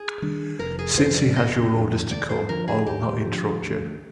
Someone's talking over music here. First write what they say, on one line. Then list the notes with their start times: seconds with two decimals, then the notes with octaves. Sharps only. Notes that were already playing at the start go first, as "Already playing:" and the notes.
Since he has your orders to come, I will not interrupt you.
Already playing: G#4
0.22 D#3 G3 D4
0.59 F1 A#4
0.79 G#4
0.98 F2 D3 C5
1.16 D5
1.35 F1 D#5
1.73 F2 D3
2.11 D#2 D5
2.29 C5
2.49 D3 F3 A#4
2.68 G#4
2.87 D#2 G4
3.25 D3 F3
3.63 D2